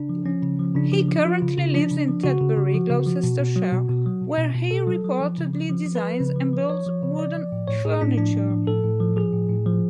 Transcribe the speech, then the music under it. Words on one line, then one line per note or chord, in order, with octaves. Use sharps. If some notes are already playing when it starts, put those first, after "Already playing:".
He currently lives in Tetbury, Gloucestershire, where he reportedly designs and builds wooden furniture.
Already playing: C#3 D4
F3
F3 C#4
C#3
F3
C#3 D4
F3
F3
F3 F4
C#3
C#3
F3 D4
C#3
F3
C#3 F#4
C#3
C#3
F3
C#3
F3
B2
B2
F#3
B2
B2
F#3
B2
B2
B2
B2 A4
F#3
F#3
F3
C#3
F3
F3
F3
B4
F3
C#3
F3
F3
F3 C#5
F3
C#3
F3 D5
F3
A2
A2 C#5
A2 G#4
A2 D4
F3 D4
A2
F3
A2 A4
A2
F3
F3 G#4
A2
A2
F3